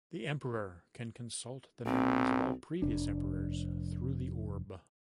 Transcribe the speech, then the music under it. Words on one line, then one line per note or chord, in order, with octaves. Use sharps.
The Emperor can consult the memories of all previous emperors through the Orb.
B1 C4
F1 D4